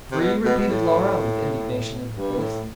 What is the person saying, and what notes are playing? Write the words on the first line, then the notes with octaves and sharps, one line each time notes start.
"Free?" repeated Laura, with indignation in her face.
C3
B2
B2
B2
A2
G2
A2